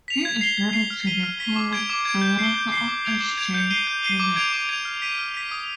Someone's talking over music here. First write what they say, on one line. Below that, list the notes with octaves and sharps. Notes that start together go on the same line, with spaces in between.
He is married to Nicola, Director of H J Phillips.
B6 F7
G#6
C7 G7
G#6
C7 G7
F6
B6 D#7 G7
F6
B6 D#7 G7
D6
G#6 D7
D6
G#6 D7
G6
C7 G7
G6
C7 G7
D6
G#6 D7 F7
D6
G#6 D7 F7
G6
C7 D#7 G7
G6
C7 D#7 G7
D6
G#6 D7 F7
D6
G#6 D7 F7
F6
B6 D#7
F6
B6 D#7
D#6